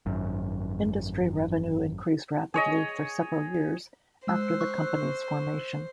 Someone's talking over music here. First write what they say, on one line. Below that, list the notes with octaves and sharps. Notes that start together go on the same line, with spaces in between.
Industry revenue increased rapidly for several years after the company's formation.
G#1 F#2
G#4 C#5 D#5
G#3 C5 E6 F#6
C#6 E6 F#6